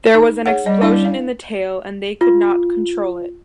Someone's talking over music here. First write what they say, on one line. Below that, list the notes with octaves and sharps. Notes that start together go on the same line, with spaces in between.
There was an explosion in the tail and they could not control it.
D#4
G#4 C#5 F#5
G3 D#5
D4 E4 F5
F5
F4